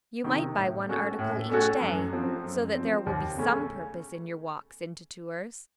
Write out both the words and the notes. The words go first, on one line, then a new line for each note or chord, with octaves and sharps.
You might buy one article each day, so that there will be some purpose in your walks into Tours.
C3 D#3
A2
A3 C#4 F#4 A4
A2
A3 C#4 F#4 A4
F#2
F3 C4
F#2
F3 C4
D#2
C#3 A3 C#4